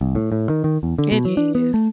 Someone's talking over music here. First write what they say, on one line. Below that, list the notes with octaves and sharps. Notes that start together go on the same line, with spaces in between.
It is.
C2
A2
A2
D#3
D#3
E2
D3
B2
F#3
D4
B3
A3